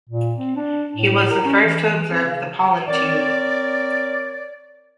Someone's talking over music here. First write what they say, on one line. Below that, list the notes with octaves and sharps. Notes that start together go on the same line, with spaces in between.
He was the first to observe the pollen tube.
A#2
C4
D4
A2
A#4
C#4
E3
C4
C#3
C4 A#4 C#5 D5